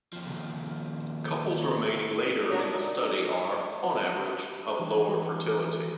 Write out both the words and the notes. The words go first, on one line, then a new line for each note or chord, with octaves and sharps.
Couples remaining later in the study are, on average, of lower fertility.
D#2 F3
D4 D#4 F#4 A#4 C#5 D5
E3